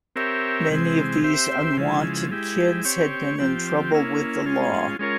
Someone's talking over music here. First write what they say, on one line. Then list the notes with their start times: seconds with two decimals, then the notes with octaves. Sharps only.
Many of these unwanted kids had been in trouble with the law.
0.16 C4 G4 A#4 C#5 E5
0.70 C3 E3 G#3 C4
1.24 C4 G4 C5 E5
1.77 C#3 F3 G#3 E4
2.31 G#3 E4 G4
2.84 C4 G4 C#5
3.38 F3 C4 G4
3.92 A#3 C#4 E4
4.45 G#3 C#4 F4
4.99 G#3 C#4 F4 A#4 C#5